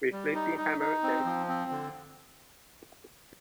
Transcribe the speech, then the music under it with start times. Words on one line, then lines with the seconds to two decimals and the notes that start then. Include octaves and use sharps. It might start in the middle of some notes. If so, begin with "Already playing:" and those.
We flipping hammered them.
0.12 G3
0.35 D#4
0.57 D#4
0.80 D#4
1.03 C4
1.25 F3
1.48 C4
1.71 D3